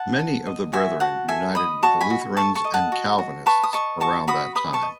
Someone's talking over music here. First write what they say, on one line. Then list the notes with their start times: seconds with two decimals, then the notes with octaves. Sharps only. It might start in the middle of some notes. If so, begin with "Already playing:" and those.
Many of the Brethren united with the Lutherans and Calvinists around that time.
Already playing: F#5 A5
0.19 A4
0.46 D#5
0.73 F#4 E5 G#5
1.00 F#4 F#5 A5
1.28 A4 E5 G#5
1.55 D#5 B5 D#6
1.83 F#4 A5 C#6
2.01 G#5 B5
2.10 F#4
2.37 A4 A5 C#6
2.55 A5 C#6
2.64 D#5
2.74 F#5 A5
2.92 F#4
3.18 F#4
3.46 B4 A5 C#6
3.63 D#6
3.73 D#5 A5 C#6
4.00 F#4 A5 C#6
4.27 F#4 B5 D#6
4.55 B4 B5 D#6
4.73 A5 C#6
4.82 D#5